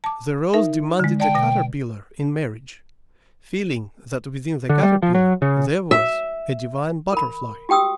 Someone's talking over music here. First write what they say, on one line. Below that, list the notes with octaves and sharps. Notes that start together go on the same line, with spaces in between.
The rose demanded the caterpillar in marriage, feeling that within the caterpillar there was a divine butterfly.
A5 D6
D#4 A#4 E5
D3 G#3
D5 G5 A5
B2 A#6
D3
G3
F3
F#3
C#3
E5
A#4 B5
F#4 G4 G5 D#6 E6